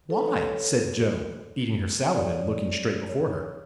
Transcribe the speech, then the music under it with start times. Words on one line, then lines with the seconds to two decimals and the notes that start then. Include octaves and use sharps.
"Why?" said Joe, eating her salad and looking straight before her.
0.10 A4
0.19 B4
0.27 C#5
2.09 C#5
2.15 D5
3.09 C#5